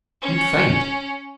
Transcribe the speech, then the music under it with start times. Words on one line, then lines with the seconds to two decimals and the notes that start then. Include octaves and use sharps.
You'd faint.
0.22 C#4